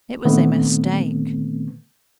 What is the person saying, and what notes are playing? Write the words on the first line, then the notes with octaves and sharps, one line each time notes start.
It was a mistake.
A#2 D3 D#3 A3 B3 C4